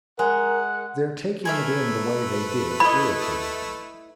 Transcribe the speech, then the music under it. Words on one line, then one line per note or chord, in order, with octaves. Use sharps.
Their taking it in the way they did irritated me.
G#3 A#4 F#5
A3 G#4 A#4 B4 E5
E4 D#5 B5